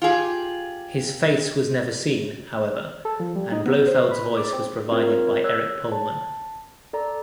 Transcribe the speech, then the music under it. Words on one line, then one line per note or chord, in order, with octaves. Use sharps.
His face was never seen, however, and Blofeld's voice was provided by Eric Pohlmann.
F4 G4 G#4
A4
F3
G3
D#4
B3
C5
B4
D5
C4
C4 F4 A#4 C#5
C#5 E6 F#6
A5
A4 D5 A#5